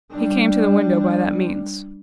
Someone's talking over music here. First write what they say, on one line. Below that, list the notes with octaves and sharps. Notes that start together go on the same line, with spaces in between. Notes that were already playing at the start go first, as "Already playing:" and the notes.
He came to the window by that means.
G3 D4